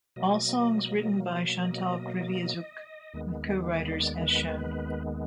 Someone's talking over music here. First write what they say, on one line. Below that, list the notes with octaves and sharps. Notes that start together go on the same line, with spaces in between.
All songs written by Chantal Kreviazuk, with co-writers as shown.
B2 F#3 A#3 D#5
D#5
D#2 D#3 G#3 B3
D5
B4